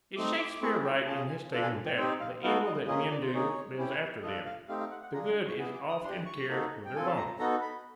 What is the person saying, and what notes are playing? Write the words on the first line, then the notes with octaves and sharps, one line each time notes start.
Is Shakespeare right in his statement that "The evil that men do lives after them; the good is oft interred with their bones"?
A3 C4 D#4 D6
D6
D6
A3 C4 E4 G#4 C#6
G5
C#4 F4 G#4 A5
G#5
D4 F4 A4 A5
G#5
G5
C4 D#4 G4 G5
F5
B3 D#4 F#4 A4 F5
D#5
A#3 C#4 F4 G#4 D#5
D5
C5
A#3 D#4 G#4 C#5
C#4 E4 G4
D4 F4 A4 D#5
F5
A3 C4 D#4 G4 F5
F5
F#5
F#5
D4 F4 G#4 A#5
C6
C#6
B3 E4 G#4
D6
D#6
D4 G4 C6
C#6
A#3 D#4 F#4 A4
G5
C4 F4 A4 G#5
A5
A#5
B3 D#4 F#4 A4 A#5
B5